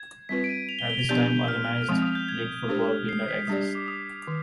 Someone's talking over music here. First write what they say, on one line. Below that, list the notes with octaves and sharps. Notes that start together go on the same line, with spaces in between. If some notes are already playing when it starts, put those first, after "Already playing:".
At this time organised League football did not exist.
Already playing: G#6
G3 C4 F4 B4 B6
D7
D#7
F7
G7
G7
F7
F3 B3 D4 G4 D5 G6
F6
F6
F3 G#3 C4 D#6
D#6
G6
G#6
G#3 D4 G4 C5
C7
B6
G3 D4 G4 D5 D#6
D6
D#6
D#3